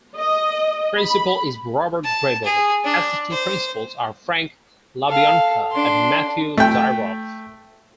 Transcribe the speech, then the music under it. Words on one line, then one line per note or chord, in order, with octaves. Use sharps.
Principal is Robert Grable; assistant principals are Frank LaBianca and Matthew Dyroff.
D#5
B5
A5
G#4
D4
C5
A4 F5
D4 C6
A3 G5